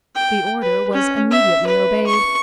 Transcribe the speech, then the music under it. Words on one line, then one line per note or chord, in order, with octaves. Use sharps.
The order was immediately obeyed.
G5
B4
C#4
E5
B4
C#6